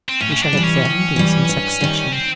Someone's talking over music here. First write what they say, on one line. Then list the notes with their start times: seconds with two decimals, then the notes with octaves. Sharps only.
We shall examine these in succession.
0.09 C4
0.20 A2 C#4
0.32 C#4
0.42 D4
0.53 E3 G3
0.64 C#4
0.85 A2
1.16 E3 G3
1.49 G2
1.81 D#3 G3
2.13 C4